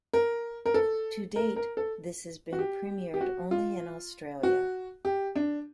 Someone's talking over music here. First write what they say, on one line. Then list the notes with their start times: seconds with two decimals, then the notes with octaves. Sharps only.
To date, this has been premiered only in Australia.
0.13 A#4
0.66 A#4
0.74 A4
1.36 A#4
1.56 A#4
1.77 A4
2.53 F#4
2.59 G4
3.14 G4
3.21 F#4
3.51 F4
4.43 F#4
5.05 G4
5.36 D4